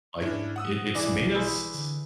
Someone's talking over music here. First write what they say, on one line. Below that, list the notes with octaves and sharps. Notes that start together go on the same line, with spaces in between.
like, it it's made us s
G#2 C#4 D4 E4
F#5 D#6 E6
E3 D4
B1
E4 G#4 C5
D3